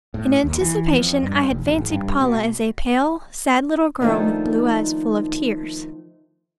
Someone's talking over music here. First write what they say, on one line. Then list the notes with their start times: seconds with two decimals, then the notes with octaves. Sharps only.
In anticipation I had fancied Paula as a pale, sad little girl with blue eyes full of tears.
0.14 A2
0.44 D#2
0.61 E3
0.93 F2
1.23 G2
1.50 F1
1.67 G#1
1.90 G2
2.21 B2
4.00 D#3 F3 A3 A#3 D4 D#4